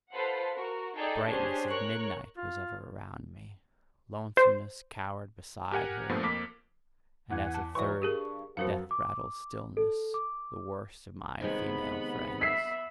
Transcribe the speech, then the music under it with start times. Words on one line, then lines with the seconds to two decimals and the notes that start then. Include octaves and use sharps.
Brightness of midnight was ever around me; lonesomeness cowered beside her; and as a third, death-rattle stillness, the worst of my female friends.
0.13 F4 A4 B4 C5 F5 F#5
0.54 F#4 A#4
0.97 D#4 G#4 A4 D5 G5 A5
1.29 C#4 D4 G4 G#4 C5
1.69 A#4 C#5 C#6 F#6
2.37 F4
4.37 C5
5.72 G4 A#4 F#5 G#5
6.09 G2 A#2 F3 A3 B3
6.23 F2 A#3 D6 B6
7.31 E2 F#5 G#5
7.54 A5
7.75 E3 F#3 B4 D5 C#6
8.02 G2 G4 G#4 A#4
8.57 F#2 F3 B3 F#4 A#4 F5
8.91 D6
9.77 A4
10.14 D6
11.41 C3 D#3 G#3 B3 B5
12.41 E5 B6 C7